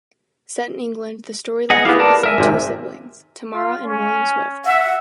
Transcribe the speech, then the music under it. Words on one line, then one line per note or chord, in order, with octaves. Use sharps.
Set in England, the storyline focuses on two siblings, Tamara and William Swift.
G#4 D#5 F#5
B3 E4 G4 G#4 F5
A#4 D5 A5
A#4 E5 G#5
G#1 C3
F4
C#4
E5 F#5